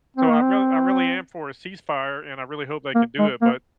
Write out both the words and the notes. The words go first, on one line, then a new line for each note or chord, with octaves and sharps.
So I real I really am for a ceasefire, and I really hope they can do it. But,
C4
A#3
C4
A#3
G#3
A#3